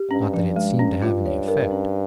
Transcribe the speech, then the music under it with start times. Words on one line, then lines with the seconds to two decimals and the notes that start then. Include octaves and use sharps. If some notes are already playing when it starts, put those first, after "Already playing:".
Not that it seemed to have any effect.
Already playing: G4
0.11 G2 C#4
0.34 F3
0.56 G#3
0.79 C#4
1.02 F4
1.26 C#5
1.48 A#4
1.71 C#4